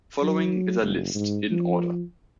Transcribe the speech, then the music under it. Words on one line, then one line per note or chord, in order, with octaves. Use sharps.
Following is a list, in order.
F#3
F#1
G#2
F3